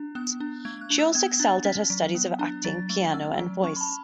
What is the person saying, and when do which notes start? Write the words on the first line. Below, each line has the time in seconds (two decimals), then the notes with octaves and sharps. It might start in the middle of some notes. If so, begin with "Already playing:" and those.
She also excelled at her studies of acting, piano and voice.
Already playing: D4
0.15 B3 F#6
0.40 D4
0.65 A3 G#6
0.81 F#6
0.90 D4
0.99 E6
1.15 B3 G#6
1.40 D4 A6
1.65 C#4 B6
1.90 F#3
2.15 B3
2.39 D4
2.64 F#3 A6
2.90 A3
3.14 C#4 E6
3.39 F#3
3.64 C#4 C#6
3.76 B5
3.81 A5